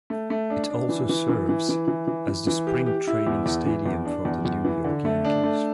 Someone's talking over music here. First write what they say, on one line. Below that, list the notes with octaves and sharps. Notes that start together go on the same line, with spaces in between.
It also serves as the spring training stadium for the New York Yankees.
A3
A3
D4
D4
E3
E3
E3
E3
E3
E3
E3
E3
E3
G4
G4
E4
E2
E2
E3
E2
D4
E2
E2
E3
D3
A3
D4
A3